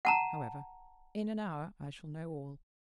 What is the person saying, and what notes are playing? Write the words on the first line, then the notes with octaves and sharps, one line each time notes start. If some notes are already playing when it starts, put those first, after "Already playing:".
However, in an hour I shall know all.
F#5 A5 A#5